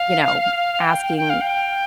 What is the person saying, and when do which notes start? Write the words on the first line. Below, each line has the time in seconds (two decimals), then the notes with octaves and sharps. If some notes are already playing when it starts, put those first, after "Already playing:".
"you know, asking
Already playing: F5
0.80 G5
1.17 G5
1.30 F5
1.41 G5